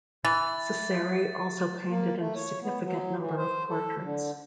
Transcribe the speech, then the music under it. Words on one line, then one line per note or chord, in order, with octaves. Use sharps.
Ciseri also painted a significant number of portraits.
E3 A6
A#3
A3
C#5
B3
F#3
E3
C5
A4
D3